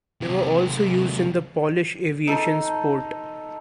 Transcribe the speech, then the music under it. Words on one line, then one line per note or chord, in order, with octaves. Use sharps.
They were also used in the Polish aviation sport.
D#2 C3
D#4 A4 A5 C6